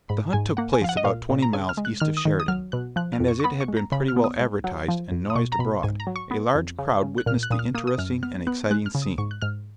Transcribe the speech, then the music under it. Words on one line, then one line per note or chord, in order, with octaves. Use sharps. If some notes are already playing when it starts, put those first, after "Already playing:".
The hunt took place about twenty miles east of Sheridan, and as it had been pretty well advertised and noised abroad, a large crowd witnessed the interesting and exciting scene.
G#2 B5
G#2 G#5
A#3 F#5
G#5
F3 F5
F#5
D#5
A#2 F5
A#2
A#5
C#3 G#5
F6
G#3
F#6
D#3 F6
D#6
D#3
D#6
F#3 F6
B2 F#6
F3 F#6
F6
F2
C#6
C#6
B3 B5
C#6
G#3
A#5
C#3 B5
F6
B3
D#6
G#2
F#3
F3
F2
D#6
B2 C#6
A#5
B2 B5
G#2 G#5
A#5
F#3
C#6
B3
F2
C#3
C#3
F#6
A#2 F6
F#6
A#2 D#6
F6
A#3 D#6
D#6
F#2 F6
B3 F6
B3 F#6
G#3 F#6
F6
C#3
D#6
G#2 C#6
F#6
G#2 F6